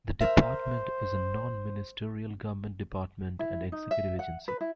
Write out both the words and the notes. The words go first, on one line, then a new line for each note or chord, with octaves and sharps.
The department is a non-ministerial government department and executive agency.
A#4 C5 E5
E4
D#4
E5
F#5
B4
E4